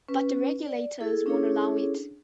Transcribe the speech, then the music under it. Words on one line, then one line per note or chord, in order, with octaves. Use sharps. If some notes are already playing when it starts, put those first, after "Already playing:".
But the regulators won't allow it.
C#4 B4
D5
E4 G#4 A4
C#4 D4 E4 G#4 A4 C#5